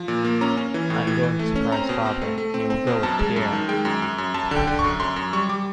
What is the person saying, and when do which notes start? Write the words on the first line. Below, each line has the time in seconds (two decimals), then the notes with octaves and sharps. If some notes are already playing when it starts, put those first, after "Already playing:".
I am going to surprise father, and you will go with Pierre.
Already playing: F3
0.08 A#2
0.24 A#3
0.41 C#4 A#5
0.57 C#4
0.74 E3
0.90 A2
1.07 E3
1.23 E3
1.39 A3
1.56 C#4
1.72 C4 A#5
1.89 B2
2.06 C4
2.22 A3
2.38 A3
2.54 C4
2.70 C4
2.87 B2
3.03 F#2 A5
3.19 G#3
3.36 F#2
3.52 D#3
3.69 G#3 G5
3.85 F#2
4.02 F#2
4.18 F#2
4.34 F#2 A5
4.51 D3
4.56 G5
4.67 D3
4.79 C#6
4.84 F#2
4.99 F#2 C6
5.16 F#2
5.33 G3 C#6
5.49 G3 D6